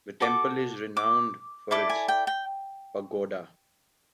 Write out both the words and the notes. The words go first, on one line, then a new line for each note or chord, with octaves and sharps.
The temple is renowned for its pagoda.
F#4 A4 D6
D6
E4 A4 D5 D6
G#5
G5
G5